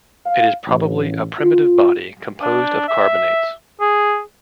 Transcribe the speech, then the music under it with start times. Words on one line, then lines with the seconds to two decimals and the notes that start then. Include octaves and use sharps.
It is probably a primitive body composed of carbonates.
0.25 F5
0.67 A1
1.40 F4
2.42 D4
2.88 E5
3.80 G#4